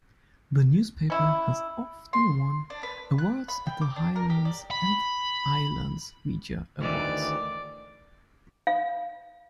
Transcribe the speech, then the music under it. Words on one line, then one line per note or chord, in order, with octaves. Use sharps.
The newspaper has often won awards at the Highlands and Islands Media Awards.
C#4 E4
C6
D4
B4
F#6
B5
G5
D6
D4
A#4
G4
D5
B5
D2 D#3 E3 D5
F5